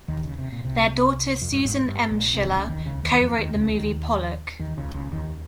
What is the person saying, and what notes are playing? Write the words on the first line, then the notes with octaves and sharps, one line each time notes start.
Their daughter Susan Emshwiller co-wrote the movie Pollock.
D#2 D#3
C#3
C3
A#2
C2 C3
F2
G2
G#1 G#2
G2
A#1 A#2
C2 C3
D#3
C#2 C#3
D#2 D#3
C#2 C#3
D#2 D#3
F2 F3
D#2 D#3
C#2 C#3
D#2 D#3
D#2 D#3
C#2 C#3
C#2 C#3
D#2 D#3